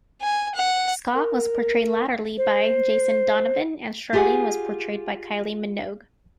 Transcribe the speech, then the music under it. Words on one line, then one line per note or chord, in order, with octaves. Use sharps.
Scott was portrayed latterly by Jason Donovan, and Charlene was portrayed by Kylie Minogue.
G#5
F#5
A#4
C5
F4 G4 G#4 C#5 F#5 G#5